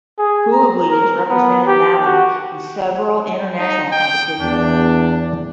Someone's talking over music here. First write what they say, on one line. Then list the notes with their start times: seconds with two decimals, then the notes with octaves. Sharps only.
Coulibaly has represented Mali in several international competitions.
0.18 G#4
0.52 A#5
0.91 A#4
1.30 B3
1.67 G4
2.05 F#4
3.59 D#4
3.91 G5
4.40 E2 D4